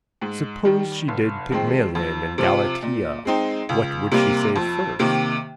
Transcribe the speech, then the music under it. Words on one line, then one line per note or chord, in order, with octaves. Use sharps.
Suppose she did Pygmalion and Galatea what would she say first?
G#2
D#3 G3
F1
F2 D#3 G#3 C4
F2
C3 F3 C4 F4
A#2
G#3 C4 D#4
C#2
C3 G3 A#3
F2
C3 D#3 A#3